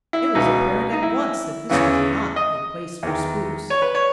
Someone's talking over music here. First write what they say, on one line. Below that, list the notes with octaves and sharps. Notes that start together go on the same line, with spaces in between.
It was apparent at once that this was not a place for spooks!
E4
C#2 B2 D#4
D#4
E4
E2 C#3 E3
D#5
E2 D#3
C#5
B4
C#5